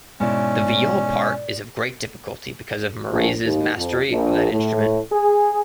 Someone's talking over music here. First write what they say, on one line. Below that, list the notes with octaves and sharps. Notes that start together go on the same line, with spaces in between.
The viol part is of great difficulty because of Marais's mastery of that instrument.
G#2 B2 C#4 E4 D5
A#1
D#2
F2
A#1
A2
G#4